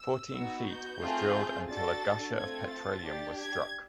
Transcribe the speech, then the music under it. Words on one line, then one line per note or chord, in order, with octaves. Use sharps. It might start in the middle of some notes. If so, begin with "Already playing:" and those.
Fourteen feet was drilled until a gusher of petroleum was struck.
Already playing: E6
B3 D#4 F#4
G6
A3 C4 F4 G#4
D4 F#4 A4 A6
A3 C4 F4 A4 G#6
A6
D4 G4
G#6